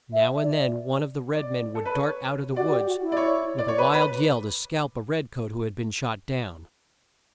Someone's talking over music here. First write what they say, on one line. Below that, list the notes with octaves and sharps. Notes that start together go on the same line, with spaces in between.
Now and then one of the red-men would dart out of the woods with a wild yell to scalp a red-coat who had been shot down.
E5
D5
D5
A4
B4
C#5
G4
F#4 D5
G4
F#4
E4
D5
C#5
D5
C#5
B4
B4